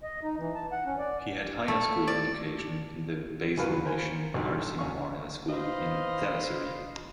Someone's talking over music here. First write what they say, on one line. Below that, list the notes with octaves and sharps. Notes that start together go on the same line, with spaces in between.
He had higher school education in the Basel Mission Parsi Memorial School in Thalassery.
D#5
D#4
E3
A5
F#5
C#4
D5
A3
D5
D2 F#3 B4 F5
A#4 C5 G#5 B5
B1 G2 F#3 D#4
D2 C#4 F5 C#6
B4 C5 D#5 F5